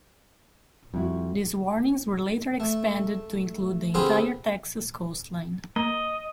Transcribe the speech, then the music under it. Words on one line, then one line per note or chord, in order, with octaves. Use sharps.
These warnings were later expanded to include the entire Texas coastline.
F2 G3 E4 F#4
A3
D3 C4 F4 G4 G#4 B4
A#3 D#5